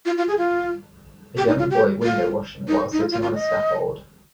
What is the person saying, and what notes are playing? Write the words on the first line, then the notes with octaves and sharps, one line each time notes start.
A young boy windowwashing while sitting on a scaffold.
F4
F4
G#4
F4
G4
D#4
F4
G4
F4
D#4
D#4
F4
F4
F4
D#5